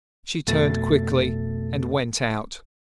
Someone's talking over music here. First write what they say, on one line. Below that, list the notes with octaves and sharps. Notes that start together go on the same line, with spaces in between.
She turned quickly, and went out.
F2 B2 A3 A4 A6